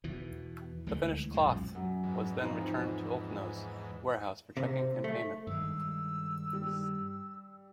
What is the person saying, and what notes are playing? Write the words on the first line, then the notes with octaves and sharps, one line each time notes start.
The finished cloth was then returned to Oldknow's warehouse for checking and payment.
E2 B2 E3
D2 E3 G#3 A3
B1 F#2 A#2 G#3
F#2
E2 G#2
F3 C4 D#4
C3
A3
G2 D#3 G#3 E6
G3